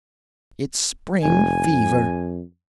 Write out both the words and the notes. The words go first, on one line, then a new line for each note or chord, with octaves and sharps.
It's spring fever.
F1 G#5
F2